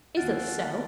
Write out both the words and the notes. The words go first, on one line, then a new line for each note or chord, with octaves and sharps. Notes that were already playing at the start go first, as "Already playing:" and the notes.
Is this so?'
D#2 F5 F#5 A6 D7